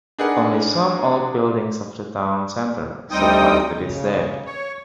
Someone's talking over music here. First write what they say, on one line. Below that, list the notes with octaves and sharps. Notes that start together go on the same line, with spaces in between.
Only some old buildings of the town centre survived to this day.
D4 D#4 G#4 A#4 B4 F#5
D2 G3 C4 D#4 G5 D#6
C#3
C#5